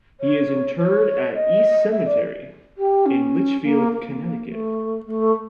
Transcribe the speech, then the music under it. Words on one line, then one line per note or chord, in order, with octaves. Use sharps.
He is interred at East Cemetery, in Litchfield, Connecticut.
C#5
C#5
D#5
E5
D5
G4
C#4
A#3
A#3
A3
A3